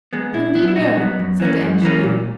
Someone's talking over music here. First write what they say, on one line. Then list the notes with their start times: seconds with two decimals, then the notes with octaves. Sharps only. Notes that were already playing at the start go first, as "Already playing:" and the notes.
'Indeed, no,' said the engineer.
0.13 G#3 B3
0.33 A#2 E4
0.55 F#3 B3
0.68 E4
0.76 A#2 D#4 F#4
0.97 F#3 B3
1.19 F#2
1.40 E3 A#3 C#4
1.61 F#2
1.82 E3 A#3 C#4
2.03 A#2